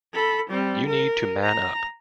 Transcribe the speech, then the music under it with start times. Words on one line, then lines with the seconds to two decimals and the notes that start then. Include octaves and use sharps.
You need to man up!
0.14 A4 B5
0.50 G3 C4
0.86 A#4
1.43 A#5